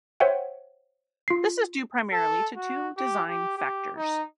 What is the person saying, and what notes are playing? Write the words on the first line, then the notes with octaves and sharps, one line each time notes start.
This is due primarily to two design factors.
C5 C#5 E5 F#5 G5
F4 C7
A4
F#4
G4
G4
G4
D#4